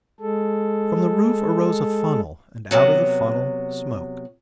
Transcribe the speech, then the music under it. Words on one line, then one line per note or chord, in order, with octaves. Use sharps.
From the roof arose a funnel, and out of the funnel smoke.
G#3 A4
C3 F#3 B3